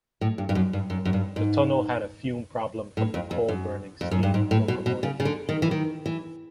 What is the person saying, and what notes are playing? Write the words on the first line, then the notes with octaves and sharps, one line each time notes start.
The tunnel had a fume problem from the coal-burning steam locomotives.
A2
G2
G2
F#2
G2
F#2
F#2
G2
G#2
A2
F2
F2
F#2
F2
F#2
G2
G#2
A2
B2
B2
C#3
C#3
D3
D#3
E3
D#3
E3